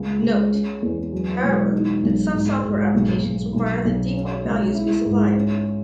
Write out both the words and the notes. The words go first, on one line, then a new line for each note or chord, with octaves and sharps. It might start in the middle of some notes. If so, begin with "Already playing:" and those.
Note, however, that some software applications require that default values be supplied.
Already playing: C#2
C#2
C#4
E2
F#3
E1
D#4
B1
G#2
G#2
B1
B1
B1
B1
C#4
C#2
E4
G#2
C#4